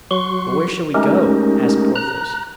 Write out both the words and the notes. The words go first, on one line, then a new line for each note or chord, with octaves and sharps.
"But where shall we go?" asked Porthos.
F#3 F#4 C6 C#6
G#3 A3 C#4 D#4 G4 A#4
A#5 F#6